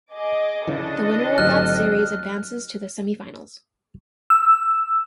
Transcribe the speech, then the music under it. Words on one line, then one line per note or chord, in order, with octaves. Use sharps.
The winner of that series advances to the semifinals.
G#4 D#5 D6
C#3 E3 D4 A4 D#5
G#1 D2 F#3 C4 G4 F6 F#6
E6